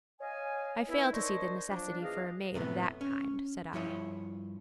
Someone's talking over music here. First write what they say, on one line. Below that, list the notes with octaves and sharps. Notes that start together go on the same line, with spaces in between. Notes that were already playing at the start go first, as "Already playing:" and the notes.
"I fail to see the necessity for a maid of that kind," said I.
C#5 D#5 F5 G#5
B3 D#4 E4
D4 A#4 C5 C#5 D#5
F3 F#3 D4
E2 G#4 D#5 F5
F#2 A2 C3 A3 B3
C#4
G2 F3 E4 C#5 D#5